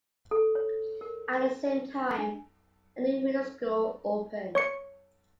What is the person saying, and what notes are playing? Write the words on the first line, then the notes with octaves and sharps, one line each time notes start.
At the same time, a new middle school opened.
A4
C#5
A#4
D4
C#5 C#6 C#7